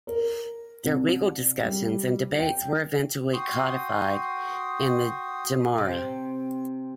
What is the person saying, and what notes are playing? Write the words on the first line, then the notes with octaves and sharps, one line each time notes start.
Their legal discussions and debates were eventually codified in the Gemara.
A#4
C2
G3
G5
F#4 G5 C6 D#6
C3